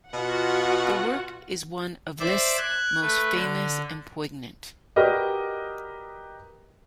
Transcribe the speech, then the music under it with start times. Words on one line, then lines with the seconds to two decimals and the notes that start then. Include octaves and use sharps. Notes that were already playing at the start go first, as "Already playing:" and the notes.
The work is one of Liszt's most famous and poignant.
0.13 B2 F4 F#4 F#5
2.20 C5 D5 E5 D6
2.58 F#6 G#6
3.02 A3 B4
3.33 D3
4.96 F#4 G4 A#4 B4 D5 D#5